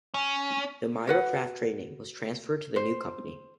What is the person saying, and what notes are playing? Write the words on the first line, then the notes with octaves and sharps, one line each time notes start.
The MirroCraft tradename was transferred to the new company.
C#4
F#4 B4 F#5
C5